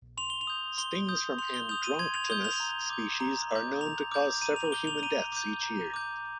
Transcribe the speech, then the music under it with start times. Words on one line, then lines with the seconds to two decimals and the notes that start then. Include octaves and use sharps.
Stings from "Androctonus" species are known to cause several human deaths each year.
0.17 C6 F7
0.30 G7
0.41 F7
0.47 D#6 G6
0.78 C6 G7
1.09 D#6 G6
1.38 C6 F7
1.54 G7
1.69 D#6 G6 F7
1.84 D#7
1.99 C6 G#6
2.14 F7
2.30 D#6 G6 G7
2.44 F7
2.60 A#5
2.90 D6 G6
3.20 A#5
3.51 D6 G6
3.81 A#5 F7
4.11 D6 G6
4.42 A#5 D#7
4.56 F7
4.72 D6 G6 G7
4.87 F7
5.03 A#5 D#7
5.32 D6 G6
5.63 A#5
5.94 D6 G6